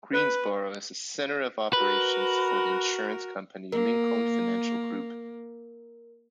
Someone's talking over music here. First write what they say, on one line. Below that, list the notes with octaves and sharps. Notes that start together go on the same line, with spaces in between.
Greensboro is a "center of operations" for the insurance company Lincoln Financial Group.
B4
F#4 A#4 B4
A#3 A#4